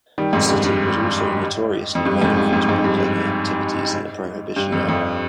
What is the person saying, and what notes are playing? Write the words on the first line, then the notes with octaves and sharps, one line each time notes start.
The city was also notoriously known for its bootlegging activities in the Prohibition era.
D#3 G3
F2 G#2
G2
G2
F2
G2
F2 G#2
G2
F2 G#2
F2 G#2
G2
G2
G2
F2
F2